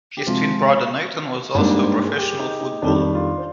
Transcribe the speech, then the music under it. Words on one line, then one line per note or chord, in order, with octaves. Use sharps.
His twin brother, Nathan, was also a professional footballer.
G4
C3 F3 G#3 F4
G#2 G3 A#3 D4 G4
C5
A#4
G#4
G4
D#4
D#4
F2 D#3 G3 D4
D4
F4
C5